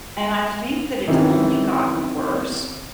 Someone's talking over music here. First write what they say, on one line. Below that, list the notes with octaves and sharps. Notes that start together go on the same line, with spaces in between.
And I think that it's only gotten worse
C3 D#3 E3 C#4